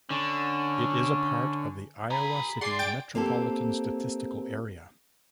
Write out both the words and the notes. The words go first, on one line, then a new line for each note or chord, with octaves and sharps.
It is a part of the Iowa City Metropolitan Statistical Area.
D3 C#4
G4 G#5 A#5 B5
G#4 D5 F#5 G#5 C6 C7
G5 A6 D7
A#3 C4 G4 A4